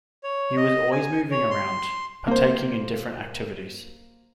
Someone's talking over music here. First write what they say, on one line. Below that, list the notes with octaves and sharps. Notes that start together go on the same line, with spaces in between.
He was always moving around, partaking in different activities.
C#5
D#5
G#5
C#5
C6
A#3 C5